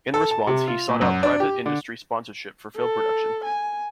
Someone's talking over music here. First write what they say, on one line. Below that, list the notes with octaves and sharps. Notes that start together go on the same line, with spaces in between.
In response, he sought out private industry sponsorship for film production.
A4
A5
C3
F4
A#2
F#2
D4
G4
D3
A4
G#5